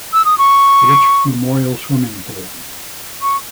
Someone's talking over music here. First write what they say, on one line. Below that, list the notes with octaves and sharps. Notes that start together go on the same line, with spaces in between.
Rich Memorial Swimming Pool.
E6
D#6
C#6
C#6